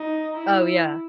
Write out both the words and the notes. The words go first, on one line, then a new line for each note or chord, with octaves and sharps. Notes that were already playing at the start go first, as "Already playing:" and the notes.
Oh, yeah.
Already playing: D#4
E4